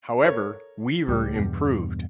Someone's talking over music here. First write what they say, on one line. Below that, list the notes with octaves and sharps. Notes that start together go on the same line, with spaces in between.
However, Weaver improved.
A4 A#4 C#5
C#2 A2 G3
E2 G2 B2